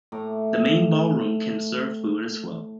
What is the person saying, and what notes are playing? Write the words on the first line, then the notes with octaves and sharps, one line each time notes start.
The main ballroom can serve food as well.
A2 A3 A#5 D6